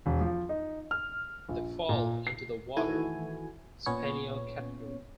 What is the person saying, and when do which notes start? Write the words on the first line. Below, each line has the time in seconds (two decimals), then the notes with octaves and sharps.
They fall into the water spaniel category.
0.06 E1
0.21 F3
0.49 D#4
0.91 F6
1.49 A#1
1.89 A#2
2.27 C7
2.76 D#3 E3 A3 E4 F#4 G#5
3.86 A#2 B3 C#4 C#5